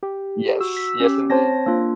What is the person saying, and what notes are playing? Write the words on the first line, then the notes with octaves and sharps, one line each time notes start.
Yes, yes, indeed.
G4
F#4 E6
B6
C#4 G4
C4 C5 C#5 A5 A#6
A#3 D4 F4